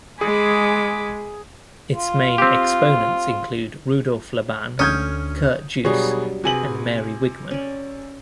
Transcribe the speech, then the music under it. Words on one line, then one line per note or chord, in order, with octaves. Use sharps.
Its main exponents include Rudolf Laban, Kurt Jooss, and Mary Wigman.
G#3 G#4 G#5 B5 D6
F4
C4 G4
D2 D3 C#4 D#6 F6 G6 G#6
B2 F#3 G3 D4 G#4
C3 F#4 G#4 B4 G#5 F#7
C#4 D5